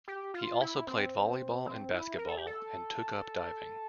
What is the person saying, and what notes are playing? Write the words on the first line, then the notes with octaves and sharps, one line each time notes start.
He also played volleyball and basketball and took up diving.
G4
F4
E4
C4
C4
E4
A#4
A4
G4
A4